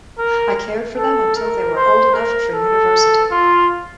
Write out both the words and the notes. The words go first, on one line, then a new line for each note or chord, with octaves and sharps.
I cared for them until they were old enough for University.
A#4
A4
A#4
C5
A#4
A4
F4